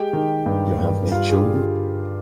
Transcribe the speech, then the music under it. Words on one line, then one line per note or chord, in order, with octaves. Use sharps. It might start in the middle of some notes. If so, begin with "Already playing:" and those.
You have no children.
Already playing: G#3 G4 G5
D#3
G2
G2
G3 F4 F5
G#4
G3 G4
D3
F4